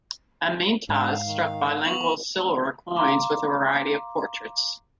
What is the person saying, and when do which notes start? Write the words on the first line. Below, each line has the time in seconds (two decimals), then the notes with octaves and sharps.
Amyntas struck bilingual silver coins with a variety of portraits.
0.89 G#2 D4 F5
1.27 D#3
1.84 B3 C#6 F7 F#7
2.96 F5 A#5 C6 D6